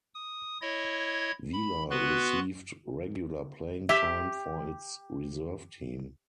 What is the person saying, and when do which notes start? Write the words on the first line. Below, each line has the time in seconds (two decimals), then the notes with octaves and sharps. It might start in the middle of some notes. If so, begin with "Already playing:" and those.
Vila received regular playing time for its reserve team.
0.14 D#6
0.61 E4 C#5 D#5 G#6
1.53 B5
1.91 B3 F#4 B4 C6 F#6
3.89 G4 E5